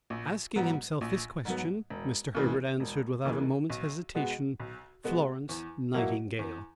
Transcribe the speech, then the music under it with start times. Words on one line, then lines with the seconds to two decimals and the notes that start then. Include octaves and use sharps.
Asking himself this question, Mr. Herbert answered without a moment's hesitation: "Florence Nightingale!"
0.10 A#1
0.56 G#2 F#3 B3
1.01 A#1
1.45 G#2 F#3 B3
1.90 E1
2.35 D#2 C#3 E3 G#3
2.80 E1
3.25 D#2 C#3 E3 G#3
3.70 B1
4.15 B2 G#3 B3
4.60 B1
5.04 B2 G#3 B3
5.49 E2
5.94 B2 F#3 A#3 E4
6.39 E2